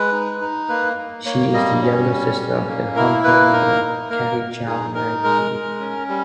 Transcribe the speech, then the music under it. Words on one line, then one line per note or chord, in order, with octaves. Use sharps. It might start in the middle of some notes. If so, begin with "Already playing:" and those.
She is the younger sister of the Hong Kong model Kathy Chow Man Kei.
Already playing: G#3 B4
D#4
D#4
A#3 B4
A#3
A#3 C#5
G3 D#5
C#4 C#5
G3
C#4
A#3
E4 A#4
A#3 B4
D#4 A#4
D#4
A#3 A#4
A#3
D#4 G#4
D#4 A#4
G#3 A#4
G#3
C#4
G3